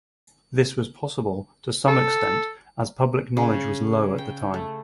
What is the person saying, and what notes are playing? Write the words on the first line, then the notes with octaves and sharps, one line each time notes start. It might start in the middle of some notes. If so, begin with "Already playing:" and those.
This was possible to some extent as public knowledge was low at the time.
A4
C#3
G5
A3